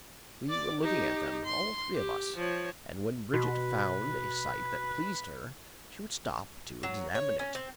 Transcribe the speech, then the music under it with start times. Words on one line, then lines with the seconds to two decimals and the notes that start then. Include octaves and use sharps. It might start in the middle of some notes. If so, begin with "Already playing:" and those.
We were looking at them, all three of us, and when Brigitte found a site that pleased her, she would stop to examine it.
0.50 D5 D6
0.81 D#4 G4
1.45 C6
1.94 G4
2.36 F3 C#5
3.34 B2 F#4 B4
6.83 F#3
7.15 C#5
7.39 C#4
7.55 C4